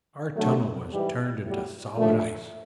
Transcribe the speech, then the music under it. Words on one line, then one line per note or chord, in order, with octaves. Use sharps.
Our tunnel was turned into solid ice.
D#2 D3 F#3 A3
G#2 E3 G3
A2 F#3 G3
D#2 D3 F3 A3